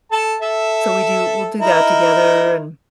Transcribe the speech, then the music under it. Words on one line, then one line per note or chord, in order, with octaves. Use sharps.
so we do we'll do that together, and
A4 A5
A4 E5
D#4 E4 A#4